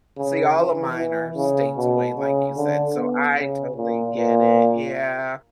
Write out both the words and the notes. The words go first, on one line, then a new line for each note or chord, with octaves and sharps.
See, all of mine are states away like you said, so I totally get it Yeah,
C#3
E3
E3
C#3
B2
C#3
D3
B3
C#3
A#2
A#2